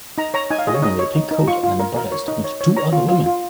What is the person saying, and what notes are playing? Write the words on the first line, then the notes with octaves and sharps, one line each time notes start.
A woman with a pink coat and an umbrella is talking to two other women.
D#4 A#5
C#5 A#5
D#4 G#5
F5
G#4 D#5
C#5
D#4 D#5
C#5
D#4
D#4
F4 C#6
F4
A#4
A#4
C#5
D#4
C#5
C#5
C#5 A#5
F4
F4
F4